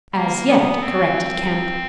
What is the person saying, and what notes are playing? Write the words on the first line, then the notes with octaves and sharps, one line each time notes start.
"As yet," corrected Kemp.
A#3
B3
C4